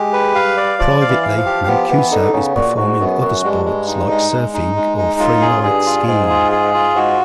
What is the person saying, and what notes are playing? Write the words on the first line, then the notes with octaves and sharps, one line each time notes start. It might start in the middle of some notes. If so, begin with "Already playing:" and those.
Privately Mancuso is performing other sports like surfing or freeride skiing.
Already playing: G#3 G4
B4
G3 F5
D5
F3 D5
F5
E3
F5
F3
G4
F3 B3
E3 B3
D3 D#4
C#3 B3
A#2 F#4
G#2 F#4
F#2 B3
F#2 F#4
G2 G#3
G#3
D#4
G#3
G#3
D#4
G#3
D#4
F#2 F4
G#4
G2 G#4
F4
G#2 G#4
F4
G#4
F4
G#2 F#4